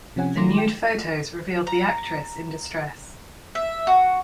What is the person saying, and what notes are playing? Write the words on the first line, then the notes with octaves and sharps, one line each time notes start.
The nude photos revealed the actress in distress.
C3 F3 C#4 F#5 G#5
D#3 A3 F4 C6 D6 A#6
G5
A#5
E5
F#4